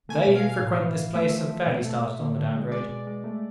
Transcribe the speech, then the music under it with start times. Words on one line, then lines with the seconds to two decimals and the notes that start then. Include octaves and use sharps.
They who frequent this place have fairly started on the down grade.
0.09 A3 G#5
0.23 G#5
0.27 B2
0.35 F5
0.44 B2
0.49 F5
0.62 A2
0.79 E3
0.97 E3
1.14 A3 E5
1.32 F3
1.49 A3
1.66 B2
1.85 A3
2.02 A3
2.20 D3
2.37 D3
2.55 G#3
2.72 G#3 D5
2.89 B2
3.07 G#3
3.24 A3